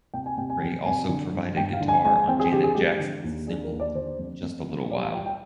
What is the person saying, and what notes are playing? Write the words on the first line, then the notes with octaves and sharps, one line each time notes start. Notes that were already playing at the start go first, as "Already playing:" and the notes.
Rey also provided guitar on Janet Jackson's single "Just a Little While".
C3 G5
G#5
C3 G5
G#5
F3 G5
C3 G#5
D3
G2
G2 G5
F5
D3
G#5
G#3 G#5
G#5
C4 G5
G#4
D3 G4
G#4
G#3 G4
D3
D#2
D4 G#4
A#4
D#2
D5
D3 C5
F2
F2
G3
G3 D5
F5
F4 G5
G5